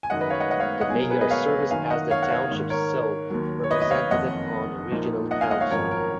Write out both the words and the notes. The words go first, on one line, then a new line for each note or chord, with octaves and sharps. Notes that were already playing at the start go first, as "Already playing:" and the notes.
The mayor serves as the township's sole representative on Regional Council.
G#5
F#2 D#3 G#3 D#4 D#5 F#5
B4 D#5
C#5 F5
D#5 F#5
D#5 F#5
C#5 F5
D#5 F#5
B1 B2 F#3 G#4
A#4
G#4 B4
B4 D#5
C#5 F5
F#2 D#3 A#3 D#4 F5 G#5
D#5 F#5
C#5 F5
F#5
C#5 F5
G#2 D#3 A#3
A#4 C#5
D#2 D#3 F#3
C#5
B4 D#5
D#5
C#5 F5
F#1 F2 D#3 D#5 F#5
A#1 A#2 F3 A#3 D#4
D#5 F#5
F5 G#5
D#5 F#5
C#5 F5
G#1 F#2 F3 A#4 C#5
A#4